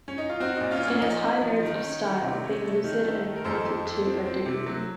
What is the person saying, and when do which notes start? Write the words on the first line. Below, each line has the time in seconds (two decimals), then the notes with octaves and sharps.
It has high merits of style, being lucid and pointed to a degree.
0.08 C#4
0.18 D#4
0.29 F4
0.40 C4 D#4 F#4
0.56 A#2 D#4
0.71 C#4 F4
0.82 A#2
0.87 C#4
1.01 F3 D#4
1.23 C4
1.42 F3
1.63 D#3
1.83 C#4
2.03 D#3
2.23 C3
2.44 C#4
2.64 A3
2.84 D#3
3.04 A3
3.24 D#3
3.36 A#4
3.45 F2 A4 C5
3.66 F2
3.85 F2
4.05 C4
4.26 C4
4.46 C3
4.66 F#3